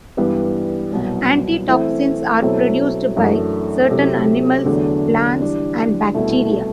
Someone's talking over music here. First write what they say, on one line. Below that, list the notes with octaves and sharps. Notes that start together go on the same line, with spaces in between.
Antitoxins are produced by certain animals, plants, and bacteria.
G2 E3 G3 B3
C2 B2 F#3
E3 A3 C4 E4
B2 F#3 C4 E4 A4
F#2 E3 A3 D4
C3 F#3 A3 E4
E2 D3 F#3 A3 D4
E3 G3 D4
C2 B2 A3 E4